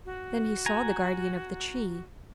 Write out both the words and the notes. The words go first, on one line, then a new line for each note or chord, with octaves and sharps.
Then he saw the guardian of the tree.
F#4
G#5 A#5